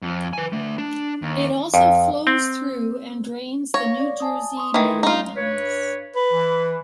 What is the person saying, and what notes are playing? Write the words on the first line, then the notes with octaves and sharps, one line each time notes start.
It also flows through and drains the New Jersey Meadowlands.
F2
B4 G#5
A3 D4
D4
D#2
F2
C4
C#5 F5 F#5 A#6
D5
G#5 A5 D#6
C6 C#6 D#6
D#3 E3
A3 C#4 D#4 F4
G2 B4 C#5
B4
E3